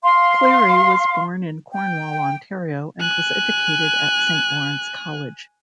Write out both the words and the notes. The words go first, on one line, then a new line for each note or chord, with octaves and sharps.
Cleary was born in Cornwall, Ontario, and was educated at Saint Lawrence College.
F5 C6
G5
G#5 F#6